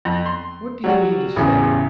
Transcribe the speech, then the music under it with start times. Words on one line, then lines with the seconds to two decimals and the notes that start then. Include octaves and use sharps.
"What do you mean to say?"
0.05 F2
0.26 C6
0.84 F#3 G3 F#4
1.36 A1 E2 C#3